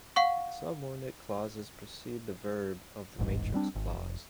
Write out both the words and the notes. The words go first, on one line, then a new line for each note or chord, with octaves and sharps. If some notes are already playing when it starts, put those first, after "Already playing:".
Subordinate clauses precede the verb of the matrix clause.
F5 F#5 C#6
E1 A1 G#2
G3 C4 D4
G#1
F1